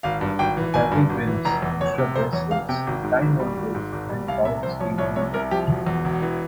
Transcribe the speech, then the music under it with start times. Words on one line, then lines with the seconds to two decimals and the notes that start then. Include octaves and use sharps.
Batting Wins, Extra Base Hits, Times On Base, and Power-Speed number.
0.03 G#1 F5
0.21 G2
0.39 G#1 G5
0.57 E3
0.74 G#1 G#5
0.91 G2
1.10 G#1
1.27 E3
1.45 F1 A#5
1.62 E2
1.80 F1 C#5
1.98 C3
2.16 F1 C5
2.33 E2 C#5
2.51 F1 F5
2.69 C3 G5
2.87 G#1
3.03 G#2
3.22 G#1
3.40 G3
3.57 G#1
3.75 G#2
3.92 G#1
4.10 G3
4.28 C2 F5
4.45 C3 E5
4.63 C2 C5
4.80 F3 C#5
4.98 C2 C#5
5.16 C3 C#5
5.34 C2 A#4
5.51 F3 G4
5.69 E1
5.87 E2
6.04 E1
6.22 E3